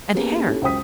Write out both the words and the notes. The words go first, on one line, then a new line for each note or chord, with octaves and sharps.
And hair.
A#3 B3 C#4 G4 G#4 B4
C#4 D#4 E4 G4 A4
C#2 F#2 C5 G5 D#6 B6